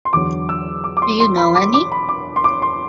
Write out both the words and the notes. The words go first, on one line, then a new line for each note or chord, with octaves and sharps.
Do you know any?
C6
E2 D3 F#3 D6
E6
D6
D6
C6
C6
B5
D6
D6
B5
D6
C6
D6
C6